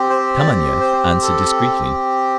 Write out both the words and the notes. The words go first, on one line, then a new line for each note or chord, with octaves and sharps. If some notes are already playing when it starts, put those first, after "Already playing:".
Kameniev answered discreetly.
Already playing: C4 G4
C5
D5
C5
A4